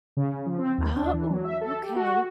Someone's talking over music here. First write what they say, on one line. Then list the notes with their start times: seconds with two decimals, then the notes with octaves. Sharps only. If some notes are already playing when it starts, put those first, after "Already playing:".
Ah, oh, okay.
0.17 C#3
0.46 F3
0.58 C4
0.78 D#2
0.96 D4
1.13 E3
1.30 F#3
1.44 E5
1.61 A4
1.82 G4
1.96 F#4